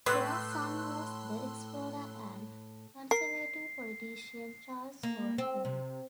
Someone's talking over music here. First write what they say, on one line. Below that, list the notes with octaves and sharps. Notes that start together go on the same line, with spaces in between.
Their son was the explorer and Conservative politician Charles Howard-Bury.
A2 B4 C6 E6 F#6
A#4 C7
A#3
C4
C3